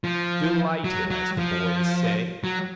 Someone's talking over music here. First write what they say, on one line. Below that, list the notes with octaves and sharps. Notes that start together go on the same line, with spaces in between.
Delighted, as the boys say.
F3
F#3
F#3
F3
F#3